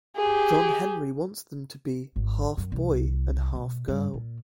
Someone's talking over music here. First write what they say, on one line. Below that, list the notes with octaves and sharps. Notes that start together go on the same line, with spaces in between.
John Henry wants them to be "half boy and half girl".
G4 G#4
G#1
F#2
C2
B2
G2
A#2